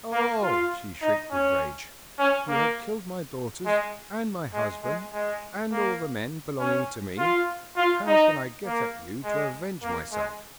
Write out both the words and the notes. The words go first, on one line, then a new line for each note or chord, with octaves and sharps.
'Oh,' she shrieked with rage, 'you have killed my daughters and my husband, and all the men belonging to me; how can I get at you to avenge myself?'
A#3
F4
D#4
C#4
C#4
A#3
G#3
G#3
G#3
G#3
A#3
C#4
F4
F4
D#4
A#3
G#3
A#3
G#3